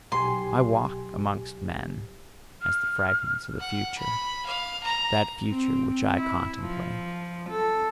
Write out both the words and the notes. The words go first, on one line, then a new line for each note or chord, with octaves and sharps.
I walk amongst men as the fragments of the future: that future which I contemplate.
B1 G4 G#5 C6
F6
F#5
B5
F5
A#5
C4
E4
F3
A4